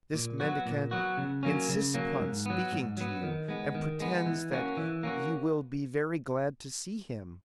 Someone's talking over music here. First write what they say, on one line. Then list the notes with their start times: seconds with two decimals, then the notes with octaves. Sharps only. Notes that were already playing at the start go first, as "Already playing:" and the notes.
"This mendicant insists upon speaking to you, and pretends that you will be very glad to see him."
0.14 A#2
0.40 F#3 B3 F#4
0.66 A#2
0.91 F#3 B3 F#4
1.17 C#3
1.43 F#3 A#3 C#4
1.69 C#3
1.94 F#3 A#3 C#4
2.20 G#2
2.46 F#3 B3
2.72 G#2
2.97 F#3 B3
3.23 D#3
3.48 G#3 B3
3.75 D#3
4.00 G#3 B3
4.26 E3
4.51 A#3 C#4 F#4
4.77 E3
5.03 A#3 C#4 F#4